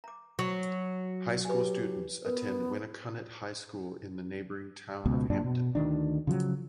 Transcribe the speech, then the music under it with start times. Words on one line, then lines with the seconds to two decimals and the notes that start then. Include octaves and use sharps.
High school students attend Winnacunnet High School in the neighboring town of Hampton.
0.04 A#5 D6
0.39 F#3
1.45 G4 B4 G#5
2.25 B3 A#4 B4
5.06 C#2 B2
5.30 F#2 A#2 D4
5.44 B2
5.75 D2 D#3 D4
6.27 C#3 F3 F#3